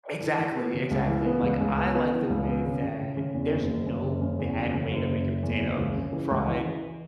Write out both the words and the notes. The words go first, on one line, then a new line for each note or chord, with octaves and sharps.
Exactly, exactly. Like, I like the way that there's no bad way to make a potato, fried,
E3
E3
B3
C#3
C#2
E3
B3
C#2
C#2
B3
B3
E3
C#2
B3
C#3
C#3
C#3
C#3
E2
F#1
F#1
C#3
F#1
C#3
E2
F#1
C#3
F#1
F#1
F#1
E2
F#1
C#2
C#3
E3
C#2
E3
E3